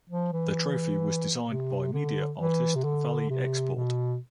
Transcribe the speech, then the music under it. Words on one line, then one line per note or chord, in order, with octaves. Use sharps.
The trophy was designed by media artist Valie Export.
F3
E3
C3
D3
E3
C3
D3
C3
B2